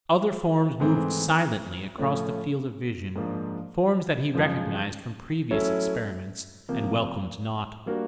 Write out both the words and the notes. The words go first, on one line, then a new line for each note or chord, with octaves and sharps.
Other forms moved silently across the field of vision, forms that he recognised from previous experiments, and welcomed not.
G#2 E3 A3 C4
A2 F3 A3 C#4
G#2 F3 A#3 D4
F#2 C#3 F3 G#3
F#3 A3 C#4 E4 A4
C3 F3 A#3
G3 A#3 D4 F#4 A#4